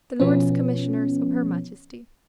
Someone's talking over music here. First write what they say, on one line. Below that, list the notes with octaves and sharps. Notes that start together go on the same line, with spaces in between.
"The Lords Commissioners of her Majesty."
B2 F3 B3 C#4